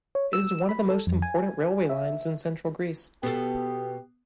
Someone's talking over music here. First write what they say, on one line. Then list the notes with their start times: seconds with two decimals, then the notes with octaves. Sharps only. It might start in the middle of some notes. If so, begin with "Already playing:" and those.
It is one of the most important railway lines in Central Greece.
0.15 C#5
0.33 E6
0.69 B5
0.90 A4
1.07 F2
1.22 G#5
1.89 E5
3.23 B2 B3 G4 A4